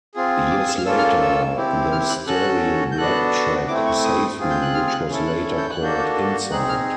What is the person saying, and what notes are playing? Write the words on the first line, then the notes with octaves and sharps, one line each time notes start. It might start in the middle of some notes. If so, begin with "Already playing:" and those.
Years later, the Stereo Black track "Save Me" which was later called "Inside".
C4 F4 G#4
D6
D#6
E6
F6
A#3 C#4 F4 A4 E6
F6
E6
C4 E4 G4
F6
F#6
C#4 F#4 A4 F#6
G6
B3 D4 F#4 A4 F#6
A3 C4 E4 D6
C#6
D#6
C4 F4 G#4
G6
F#6
F6
F6
F#6
C#4 E4 A4
F#6
G6
F#6
A#3 D4 F#4 A4 G6
C4 D#4 G#4 F#6
F6